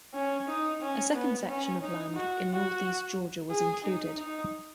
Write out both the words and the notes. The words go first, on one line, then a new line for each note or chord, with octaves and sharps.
A second section of land in northeast Georgia was included.
C#4
D#4
C#4
B3
C#4
D#4
F#4
F#4
G#4
D#4
D#4